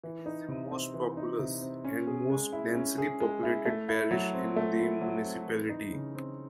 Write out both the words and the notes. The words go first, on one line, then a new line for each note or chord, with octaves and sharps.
It is the most populous and most densely populated parish in the municipality.
E3
D#4
C3
C4
E3
D#4
C3
C4
C#4
G#4
G#3
E4
C#4
G#4
G#3
E4
A3
E4
F#3
C4
A3
E4
F#3
C4
E3
D#4
C#3
C4